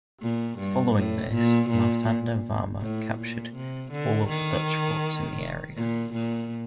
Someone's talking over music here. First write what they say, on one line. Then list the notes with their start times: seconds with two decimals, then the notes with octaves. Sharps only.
Following this, Marthanda Varma captured all of the Dutch forts in the area.
0.22 A#2
0.59 G2
0.96 A2
1.33 A#2
1.69 A#2
2.81 A2
3.18 A#2
3.54 C3
3.92 D3
4.28 D#3
5.76 A#2
6.14 A#2